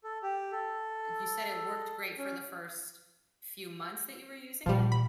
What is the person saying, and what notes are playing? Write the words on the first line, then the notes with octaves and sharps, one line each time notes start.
you said it worked great for the first, few months that you were using it?
A4
G4
A4
C#4
A#2 E3 F3 G3
B5